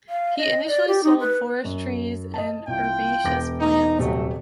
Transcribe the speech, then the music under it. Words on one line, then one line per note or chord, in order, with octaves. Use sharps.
He initially sold forest trees and herbaceous plants.
F5
D#5
D5
G4
D#4
B4
F#2
D#5 A5
C2 F4 G5
E1 D6 A#6
D#4
D#1 C3 F#3 A3 G4